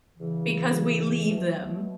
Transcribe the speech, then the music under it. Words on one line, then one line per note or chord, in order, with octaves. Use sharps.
Because we leave them.
E2 C#3 E3
B2 F#3 A3